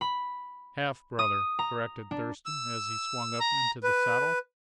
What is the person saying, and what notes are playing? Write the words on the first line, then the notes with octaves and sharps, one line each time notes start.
"Half brother," corrected Thurston, as he swung up into the saddle.
B5
D#6
A#5
D4
E6
A#5
B4